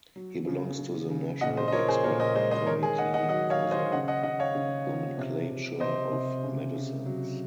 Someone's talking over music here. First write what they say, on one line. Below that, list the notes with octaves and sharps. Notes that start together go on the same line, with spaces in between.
He belongs to the national expert committee for the nomenclature of medicines.
F#3
C#3
C#3
C#3
A#2 D#5 F#5
C5 D#5
D#5
F3 A#4 C#5
G#4 C5
A#2 A#4 C#5
C5 D#5
G#3 C5 D#5
C5 D#5
D#3 A#4 C#5
G#4
D#3 D#5 F#5
D#5 F#5
F#3 D#5 F#5
C#5 F5
D#3
C5 D#5
C#3 D#5 F#5
D#5 F#5
C#3 D#5 F#5
C#5 F5
C#3
F3
C3
C3
C3 C5 D#5
C3
C#3
C#3
F#3